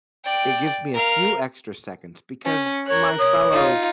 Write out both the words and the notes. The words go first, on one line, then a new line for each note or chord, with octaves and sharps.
it gives me a few extra seconds because my fellow
D5 G5
A#4 F5
C#4
A#4 C#5 F#6
C#5 D#6
D#4 F4